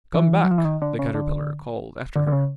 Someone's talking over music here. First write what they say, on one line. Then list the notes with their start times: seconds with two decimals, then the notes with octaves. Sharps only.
'Come back!' the Caterpillar called after her.
0.14 E3
0.44 F#3
0.51 F3
0.58 E3
0.65 D#3
0.82 D3
0.99 C#3
1.15 D3
2.16 D3
2.27 D3
2.32 C#3